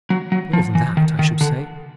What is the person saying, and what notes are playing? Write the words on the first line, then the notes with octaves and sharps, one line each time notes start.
More than that, I should say.
F#3
F#3
F3
E3
D#3
D#3
D3